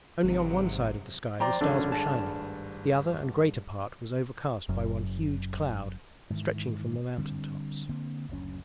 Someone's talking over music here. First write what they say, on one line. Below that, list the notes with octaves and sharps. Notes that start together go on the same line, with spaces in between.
Only on one side of the sky the stars were shining, the other and greater part was overcast by one huge cloud stretching from the mountaintops.
G#1 G#2 C3 F#3
F2 C5 D5 G5 A#5 D6
G#1 F2 C#4 D4 A4
G2 G#4 A5
F#1 F#2
G#2 D#3 E3
D3 G3 C4
D3 A#3 C4
F#1 D2 F#3 C#4